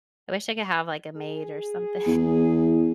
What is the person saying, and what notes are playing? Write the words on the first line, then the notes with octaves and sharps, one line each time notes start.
I wish I could have, like, a maid or something.
G#4
E2